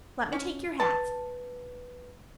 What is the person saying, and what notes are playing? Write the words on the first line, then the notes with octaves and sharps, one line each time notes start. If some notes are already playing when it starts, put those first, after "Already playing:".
Let me take your hats.
C#4
B4 A5